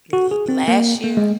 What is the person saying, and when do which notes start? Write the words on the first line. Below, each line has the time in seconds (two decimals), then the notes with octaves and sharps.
l last year
0.13 F#4
0.31 G#4
0.49 C4
0.68 A#3
1.04 A#3
1.17 G#3